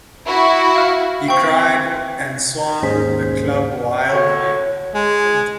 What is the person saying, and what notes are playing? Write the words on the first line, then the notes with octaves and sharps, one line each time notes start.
He cried, and swung the club wildly.
E4 F#4
F5 F6
C4 G5 C#6
D#2 G#2 C#4 G#4 C5 B6
D3 F#4 C#5
G#3